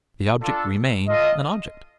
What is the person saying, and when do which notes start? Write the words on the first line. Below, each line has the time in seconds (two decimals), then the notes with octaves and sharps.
The object remained an object.
0.41 D4 F4 A4
1.07 F4 A4 D#5